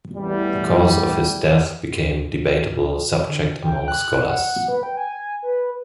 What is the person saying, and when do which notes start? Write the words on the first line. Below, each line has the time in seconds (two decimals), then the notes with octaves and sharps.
The cause of his death became debatable subject among scholars.
0.15 A1 E2 G3
3.26 D3
3.63 G5
3.88 F#6
4.25 F#5
4.68 B4
4.83 G5
4.97 G#5
5.43 B4